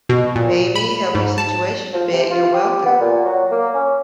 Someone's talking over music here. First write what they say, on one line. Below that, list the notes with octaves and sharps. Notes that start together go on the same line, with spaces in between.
maybe help your situation a bit, you're welcome.
B2
A#2
B5
G#2
A5
F3
C3
F4
G4
B3
A#2
F#3
A#3
C#4